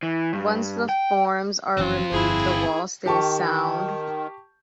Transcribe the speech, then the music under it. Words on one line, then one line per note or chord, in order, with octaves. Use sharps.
Once the forms are removed the wall stays sound.
E3
G2
G5
F#1 E3 C4 C#4 F4
G1 E4 G#4
D#3 G4 A5 C#6